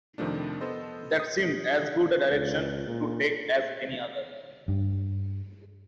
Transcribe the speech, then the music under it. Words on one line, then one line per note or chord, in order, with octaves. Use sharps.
That seemed as good a direction to take as any other.
F2 C3 D#3 F3 A3 D4
B3 A4 C5 D#5
D#6
C#2
A#2
G2